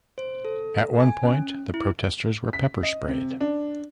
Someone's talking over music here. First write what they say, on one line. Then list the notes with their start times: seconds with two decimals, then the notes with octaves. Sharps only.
At one point the protesters were pepper sprayed.
0.18 C5
0.45 A4
1.00 G#5
1.23 C#4
1.74 E4
2.53 B6
2.83 D#5
3.08 C3
3.41 D4